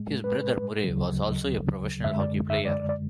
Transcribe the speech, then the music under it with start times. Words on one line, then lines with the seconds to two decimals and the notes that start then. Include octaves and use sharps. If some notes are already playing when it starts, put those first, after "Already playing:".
His brother Murray was also a professional hockey player.
Already playing: A2 G#3
0.24 B4
0.84 D2 C#3 F#3
2.04 F#2 D3 G#3 E5
2.20 D5
2.50 E5
2.65 D5
2.89 D5